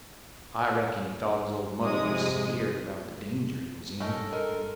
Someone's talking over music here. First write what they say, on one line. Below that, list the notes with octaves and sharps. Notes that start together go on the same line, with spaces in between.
I reckon he thought his old mother'd be skeered about the danger he was in.
F2 G#2 C3 G#3 D#6
G2 C#4 D#4 A4 A#4
G#3 A#4